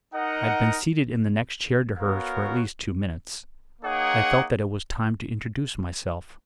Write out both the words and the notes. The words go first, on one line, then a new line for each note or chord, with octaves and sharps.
I had been seated in the next chair to hers for at least two minutes. I felt that it was time to introduce myself.
D#4 A#4 D#5 F#5
B3 F#4 A#4 C#5 F5
A#3 D#4 G#4 C#5 F#5